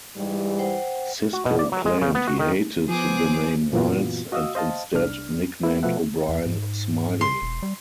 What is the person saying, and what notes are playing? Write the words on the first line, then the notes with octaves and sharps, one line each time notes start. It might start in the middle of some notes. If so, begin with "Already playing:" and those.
Sisko claimed he hated the name Miles, and instead nicknamed O'Brien "Smiley".
G#2 E3 G3
C5 F#5 G5
F#4
B2
D5
F#3
G#3
C#3
B3
F#4
D#3
F3 B3 G#4 C5 D6
F#2 A#2 E3 B3 F4 F#4
F#4 D#5 F5 D#6 E6
C5 D#5 F5 A5
C2 D4 F6
A#3 E4
B2 F3 A3 B4 E5 F#5
E2
G#2
C6
E1
G3